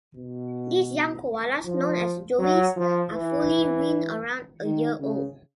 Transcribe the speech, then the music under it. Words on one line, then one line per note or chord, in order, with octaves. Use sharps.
These young koalas, known as joeys, are fully weaned around a year old.
B2
F3
F#3
F3
E3
D#3
C#3